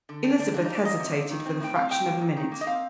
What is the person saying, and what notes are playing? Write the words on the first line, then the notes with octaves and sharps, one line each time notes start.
Elizabeth hesitated for the fraction of a minute.
D3
C4 D4
D3 D4
A#3 D4
D#4
A#2
D5
A#3 D#5
C3
A#3
D#3
C4
A2 G5
C4 F5
A2 G5
A#3
A#2
D#3
A#3
D#5
C4 F5